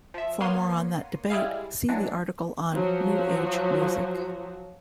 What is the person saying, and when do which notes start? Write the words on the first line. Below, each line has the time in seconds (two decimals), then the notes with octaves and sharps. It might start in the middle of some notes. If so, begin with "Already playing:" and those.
For more on that debate, see the article on new-age music.
0.14 F3 E5
0.40 A#3 B3 C#5 C6 C7 D#7
1.30 G3 G#3 E4 G#4 F5
1.89 E3 F#3 G#3 D4
2.73 F3 F#3 F#4